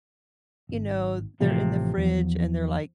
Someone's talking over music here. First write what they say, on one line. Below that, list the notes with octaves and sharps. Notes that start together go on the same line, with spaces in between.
you know, they're in the fridge and they're, like
D#1 G#1
A1 A2 C3 F3
E2 F3 F#3